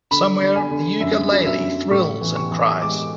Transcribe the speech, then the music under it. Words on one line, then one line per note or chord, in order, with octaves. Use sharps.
Somewhere a ukulele thrills and cries.
D3 B5
D3
G#5
D3
F#2 E5
F#3
E5
F#2
A2 C#6
E3
C#6
E3
G#3 D6